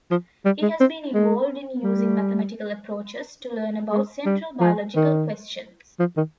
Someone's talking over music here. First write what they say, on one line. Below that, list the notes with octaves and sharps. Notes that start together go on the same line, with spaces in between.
He has been involved in using mathematical approaches to learn about central biological questions.
F3
G3
G#3
C4
G#3
G3
G#3
G3
F3
D#3
F3
D#3